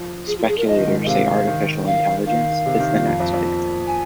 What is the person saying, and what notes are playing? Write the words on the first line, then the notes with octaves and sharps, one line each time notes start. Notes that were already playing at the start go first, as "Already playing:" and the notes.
Speculators say artificial intelligence is the next big thing.
Already playing: F3
G#4
F4
A#4
G#4
A#4
F3 D#5
D#3
G#2
D#5
C3 F5
D#3
F5
D#3 F5
C3
D#3
A#2
F2
F2
F2
G#5